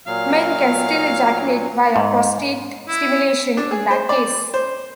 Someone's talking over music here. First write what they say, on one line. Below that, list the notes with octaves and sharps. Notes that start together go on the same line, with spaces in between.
Men can still ejaculate via prostate stimulation in that case.
A#2 F#3 F5
G#2
E4
D4
G#4
C5
D5
C5